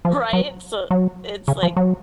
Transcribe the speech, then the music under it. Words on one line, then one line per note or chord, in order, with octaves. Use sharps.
Right? So it's, like
F3
F#3
F#3
C#3
F3
F#3